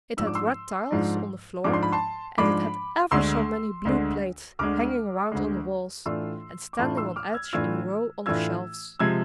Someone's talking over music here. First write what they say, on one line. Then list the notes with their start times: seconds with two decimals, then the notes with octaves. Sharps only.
It had red tiles on the floor; and it had ever so many blue plates hanging around on the walls, and standing on edge in a row on the shelves.
0.17 G#2 F3 G#3 D4 E6
0.27 D6
0.35 C6 E6
0.91 G#2 F3 G#3 D4
1.64 G#2 F3 G#3 D4 D6
1.73 C6
1.83 B5
1.93 A5 C6
2.38 G#2 F3 G#3 D4 B5 D6
3.11 D2 D3 G#3 C6 E6
3.85 D2 D3 G#3
4.59 D2 D3 G#3 D6 F6
5.32 D2 D3 G#3
6.06 A2 E3 A3 D4 F4 C6 E6
6.73 D6
6.79 A2 E3 A3 D4 F4 A5 C6
6.97 C6 E6
7.16 D6 F6
7.34 E6 G#6
7.53 A2 E3 A3 D4 F4 E6 G#6
8.26 A2 E3 A3 D4 F4 E6 G#6
8.99 C3 F3 G#3 E6 G#6